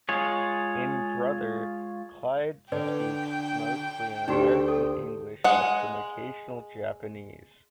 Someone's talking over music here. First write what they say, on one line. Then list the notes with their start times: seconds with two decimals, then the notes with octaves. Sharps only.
In "Brother", Claude speaks mostly in American-English with some occasional Japanese.
0.09 G#3 F4 G#4 C#5
2.72 D3 B4 D5 G5
4.28 D2 D4 D#4 F#4 G4
4.68 A4
5.44 G#3 F#5